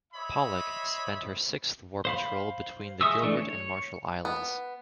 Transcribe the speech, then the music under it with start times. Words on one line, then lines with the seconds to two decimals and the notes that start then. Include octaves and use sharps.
"Pollack" spent her sixth war patrol between the Gilbert and Marshall Islands.
0.13 C5 C#5 D#5 E5 B5
2.05 C5 F5 B5
3.01 G#3 E5 C#6 D#6 E6
3.23 E3 A3 D4
3.37 C#5
4.25 B3